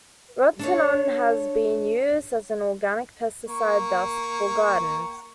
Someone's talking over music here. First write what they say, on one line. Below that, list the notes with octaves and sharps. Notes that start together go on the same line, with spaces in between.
Rotenone has been used as an organic pesticide dust for gardens.
D4 A4 C#5
A#3 C#6